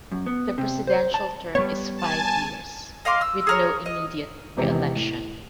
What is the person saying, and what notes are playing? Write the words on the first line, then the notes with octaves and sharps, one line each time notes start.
The presidential term is five years, with no immediate reelection.
F#2
B3
C3
C5
A5
G3 B3 C#5
G#5 A5
D#5 F5 C6 D6
E6
G#4 A#4 C#5
D#5
G#1 E2 C3
A2